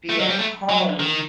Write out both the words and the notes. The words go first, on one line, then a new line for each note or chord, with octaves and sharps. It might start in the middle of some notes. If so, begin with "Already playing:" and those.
be at home,
A3
F#3
G3
A3
F#3
D#3